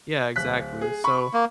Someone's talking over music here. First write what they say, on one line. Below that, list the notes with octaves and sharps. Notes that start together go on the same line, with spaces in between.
yeah, exactly. So,
D1 F#6 B6
G#4
B5 C#6
A#3